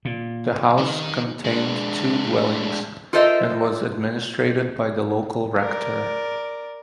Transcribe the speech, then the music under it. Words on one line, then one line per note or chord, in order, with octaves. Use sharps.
The house contained two dwellings and was administrated by the local rector.
A#2
D#3 D#4
G#3 D4
F4 A4 A#4 C5 D#5 E5
A#4 D5